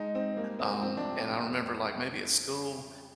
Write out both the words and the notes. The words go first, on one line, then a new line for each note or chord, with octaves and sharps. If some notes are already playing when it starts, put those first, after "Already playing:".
Um, and I remember, like, maybe at school,
Already playing: G#3 D#4
G#2 C4
G3 A#3
C2 C4
F3 C4
D4
C2
G3
F2